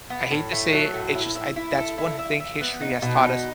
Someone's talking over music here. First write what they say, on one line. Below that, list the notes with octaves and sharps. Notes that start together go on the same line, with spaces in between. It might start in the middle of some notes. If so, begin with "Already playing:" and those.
I hate to say it, it's just I that's one thing history has taught us.
B3
A2
A3
F#3
A2
E4
E4
E4
A4
E4
E5
E5
B3
D#4
B2
D#4